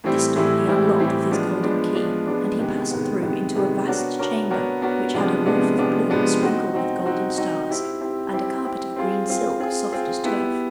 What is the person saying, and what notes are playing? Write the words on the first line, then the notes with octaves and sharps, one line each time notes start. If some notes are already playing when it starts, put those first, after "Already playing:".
This door he unlocked with his golden key, and he passed through into a vast chamber which had a roof of blue sprinkled with golden stars, and a carpet of green silk soft as turf.
A2 E3 G3 C4 E4
A2 E3 G3 C4 E4
A2 E3 G3 C4 E4
A2 E3 G3 C4 E4
F3 G#3 B3 D4
F3 G#3 B3 D4
F3 G#3 B3 D4
F3 G#3 B3 D4
C3 D#3 G#3 B3
C3 D#3 G#3 B3
C3 D#3 G#3 B3
C3 D#3 G#3 B3
B3 D4 F#4 A#4 C#5
B3 D4 F#4 A#4 C#5
B3 D4 F#4 A#4 C#5
B3 D4 F#4 A#4 C#5
C3 F3 G#3 B3 D4
C3 F3 G#3 B3 D4
C3 F3 G#3 B3 D4
C3 F3 G#3 B3 D4
C4 D#4 F#4
C4 D#4 F#4
C4 D#4 F#4
C4 D#4 F#4
C4 E4 G4
C4 E4 G4
C4 E4 G4
C4 E4 G4
C4 F4 G#4
C4 F4 G#4
C4 F4 G#4
C4 F4 G#4
B3 E4 G4